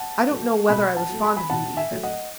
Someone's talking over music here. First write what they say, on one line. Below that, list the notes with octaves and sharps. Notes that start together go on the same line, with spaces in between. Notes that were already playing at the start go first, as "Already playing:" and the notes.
I don't know whether I was fond of you even.
Already playing: F#5 A5
F#3 A3
B2 G#5 B5
F#5 A5
F#3 A3
B5
G#5 B5
B2 F#5 A5
E5 G#5
F#3 A3
D#5 F#5